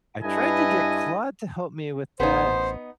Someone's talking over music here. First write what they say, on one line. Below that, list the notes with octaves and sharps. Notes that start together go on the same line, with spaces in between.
I tried to get Claude to help me with that,
G2 E4 A4 B4 D#5 G#5
A1 B3 D#4 C5